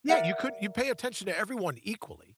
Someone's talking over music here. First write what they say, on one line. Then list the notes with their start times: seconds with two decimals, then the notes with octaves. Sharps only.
Yeah, you couldn't you pay attention to everyone equally.
0.09 A#4 D5 E5 F#5